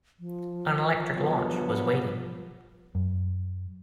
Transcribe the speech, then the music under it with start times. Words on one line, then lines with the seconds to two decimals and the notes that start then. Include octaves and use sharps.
An electric launch was waiting.
0.20 F3
1.17 G2 F#3 B3
2.95 F#2